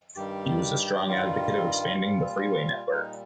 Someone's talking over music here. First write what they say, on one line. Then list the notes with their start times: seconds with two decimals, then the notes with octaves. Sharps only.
He was a strong advocate of expanding the freeway network.
0.16 G2 D#3 G3 G4
1.08 G2 D#3 G3 F4
1.98 A#2 G3
2.90 A#2 G3 D#4